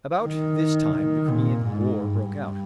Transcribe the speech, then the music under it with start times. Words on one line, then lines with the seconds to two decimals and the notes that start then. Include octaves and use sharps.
About this time the Crimean war broke out.
0.24 D#3
0.94 D#3
1.30 A#2
1.66 G#2
2.01 G2